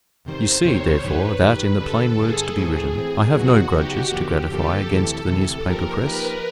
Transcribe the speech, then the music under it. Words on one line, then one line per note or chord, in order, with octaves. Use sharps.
You see, therefore, that, in the plain words to be written, I have no grudges to gratify against the newspaper press.
E2 C3 D#3 G3 C5
E2 C3 D#3 G3 C#5
F#2 D#3 G3 B4
F#2 D#3 G3
G2 D3 G3 A4
G2 D3 G3 G#4
A2 E3 A3 C4
A2 E3 A3 C4
D#2 C#3 F#3 B3 D#4 F#4
D#2 C#3 F#3 B3 D#4 G4
F#2 D3 F3 A#3
F#2 D3 F3 A#3 A4
D2 C3 E3 A3 A4
D2 C3 E3 A3
F3 A#3 D#4 G4 A#4
F3 A#3 D#4 G4 B4